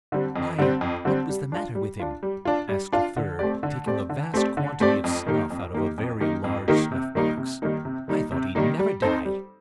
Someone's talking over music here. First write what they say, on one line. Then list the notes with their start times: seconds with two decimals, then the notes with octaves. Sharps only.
"Why, what was the matter with him?" asked a third, taking a vast quantity of snuff out of a very large snuff-box. "I thought he'd never die."
0.12 D3 G3 C4
0.36 F2
0.58 D3 G3 C4
0.81 F2
1.05 D3 G3 C4
1.29 G3
1.52 D4 F4
1.75 G3
2.00 D4 F4
2.23 G3
2.45 D4 F4
2.69 G3
2.93 D4 F4
3.17 D3
3.39 A3 C4 G4 D5
3.63 D3
3.86 A3 C4 G4 D5
4.09 D3
4.34 A3 C4 G4 D5
4.57 D3
4.80 A3 C4 G4 D5
5.04 F2
5.26 D#3 A#3 D#4 G4
5.50 F2
5.73 D#3 A#3 D#4 G4
5.98 F2
6.20 D#3 A#3 D#4 G4
6.44 F2
6.68 D#3 A#3 D#4 G4
6.92 C3
7.15 D#3 G3 A#3 D#4
7.37 C3
7.62 D#3 G3 A#3 D#4
7.85 C3
8.08 D#3 G3 A#3 D#4
8.32 C3
8.55 D#3 G3 A#3 D#4
8.79 G3
9.02 C4 D#4 A4 C5
9.25 G3